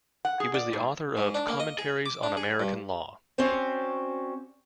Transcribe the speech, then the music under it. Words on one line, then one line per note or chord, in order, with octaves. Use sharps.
He was the author of "Commentaries on American Law".
F#5
G#4
D5
G#2
G#2
D4
A#3
D#5
G#4
D6
D4
G#4
G2
C4 C#4 F#4 C5 D5